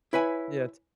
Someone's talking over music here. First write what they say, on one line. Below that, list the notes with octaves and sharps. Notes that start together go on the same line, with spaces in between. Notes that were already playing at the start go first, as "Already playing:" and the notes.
Yeah, t
E4 B4 C#5 G#5